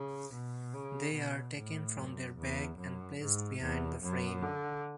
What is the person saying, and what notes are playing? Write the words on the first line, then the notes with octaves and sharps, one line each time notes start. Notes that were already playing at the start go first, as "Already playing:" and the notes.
They are taken from their bag and placed behind the frame.
Already playing: C#3
B2
C#3
B2
A2
F#2
E2
F#2
G#2
E2
F#2
D3